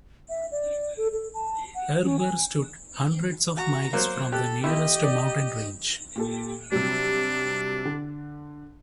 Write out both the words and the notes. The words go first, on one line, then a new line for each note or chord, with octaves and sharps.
Erebor stood hundreds of miles from the nearest mountain range.
E5
D5
A4
A4
A5
F#5
C#4
G#5
F#4 A#5
F#3 A#3 C5
G4 A4 F#6
B1 E4 G4 D#5
D5
A#2 G4 A4
C3 F#3 G3 D4
D3